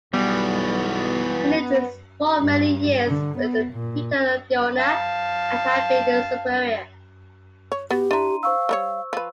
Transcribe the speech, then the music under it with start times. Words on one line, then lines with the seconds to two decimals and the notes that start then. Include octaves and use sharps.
He lived for many years with Peter of Verona and had been his superior.
0.14 B1 E3 F#3 G3 B3
2.39 G2
3.07 D3
3.38 B3
3.73 A#2
4.79 F5 A5
7.72 C#5
7.91 B3 F#4 G4
8.11 D4 E4 A#5 C6 D#7
8.43 C5 F5 C#6 E6
8.69 G3 A#4 C#5
9.13 F3 B4